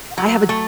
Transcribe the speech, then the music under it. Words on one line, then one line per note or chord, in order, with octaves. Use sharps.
I have a
F#3
A3